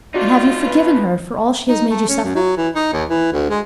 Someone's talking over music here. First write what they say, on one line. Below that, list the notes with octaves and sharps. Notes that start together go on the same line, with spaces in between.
"And have you forgiven her for all she has made you suffer?"
C4 D#4 F4 F#4 D5
B4
D#4
A3
C#4
F#2
F#3
E3
D#4
D#2
E3
D2
G#3